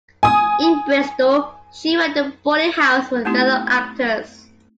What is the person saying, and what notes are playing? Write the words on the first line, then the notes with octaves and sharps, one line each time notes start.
In Bristol she ran a boarding house for fellow actors.
G#5 D#6
A3 B3 C4 D#4 E4 G4